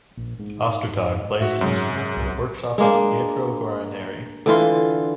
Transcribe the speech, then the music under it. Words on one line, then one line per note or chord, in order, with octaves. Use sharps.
Ostertag plays an instrument from the workshop of Pietro Guarneri.
A#1
G#2
G#2 F#4 E5
F#2 F#3 G#3
C2
G#3 A#3 D4
D3 E3 F4